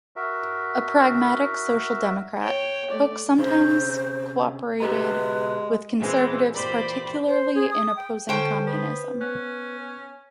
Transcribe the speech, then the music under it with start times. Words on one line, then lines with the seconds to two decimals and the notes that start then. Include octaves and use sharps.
A pragmatic social democrat, Hook sometimes cooperated with conservatives, particularly in opposing communism.
0.16 F#4 A#4 E5
2.42 C#5 G5
2.90 A3 D5
3.38 C3 C#4 C5
4.80 B2 G#3 G4 B4 A#5
5.98 A#2 E3 G#3 C4
6.54 A#2 E3 G4 C5 D5 B5
7.28 C5
7.55 G#4
7.71 D#6
7.96 G5
8.29 D3 C#4 A4 C5 G5 A5 C#6
8.67 B3 B4
9.21 B3 C#4 F#6